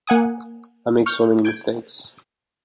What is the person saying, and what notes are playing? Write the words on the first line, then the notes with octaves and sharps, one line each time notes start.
I make so many mistakes.
A#3 F#5 G#5 D#6
C#6 F6 G6
G6 G#6 D7